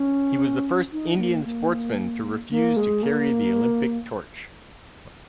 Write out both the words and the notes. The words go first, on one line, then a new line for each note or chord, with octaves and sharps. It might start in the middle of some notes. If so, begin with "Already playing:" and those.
He was the first Indian sportsman to refuse to carry the Olympic torch.
Already playing: C#4
D#4
A#3
A#3
A#3
G#3
A#3